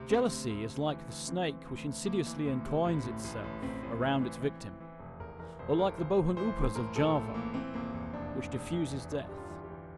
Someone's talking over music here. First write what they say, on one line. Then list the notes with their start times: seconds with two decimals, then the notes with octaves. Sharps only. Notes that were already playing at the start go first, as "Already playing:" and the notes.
Jealousy is like the snake which insidiously entwines itself around its victim; or like the bohun upas of Java, which diffuses death.
Already playing: D2 C3 C4
0.10 D2 C4
0.30 D2
0.50 D2
0.69 D2
0.89 E3
1.09 D2
1.27 E3 C4
1.47 E3
1.67 D2
1.87 D2
2.06 D2 A#3
2.26 E3
2.46 D2
2.65 C3
2.85 A1
3.04 A2
3.24 A1
3.44 A1
3.62 A1 C4
3.83 A1
4.02 A1
4.21 E3
4.41 E3
4.61 E3
4.80 E3
4.99 F1
5.19 E2 A#4
5.40 E3 A#4
5.59 F1 C5
5.71 A4
5.79 E3 A#4
5.98 A#1 C5
6.17 A2
6.37 E3 C5
6.57 A2
6.76 A2 A#4
6.95 A#1 A4
7.16 A2
7.34 E3 A#3
7.54 E3 C4
7.74 F1 A#3
7.94 E2
8.13 F1 D4
8.33 F1
8.53 F1
8.72 E3
8.91 E2
9.11 G1 D4
9.29 G1 G4
9.37 F4
9.50 E3
9.64 G4
9.69 E3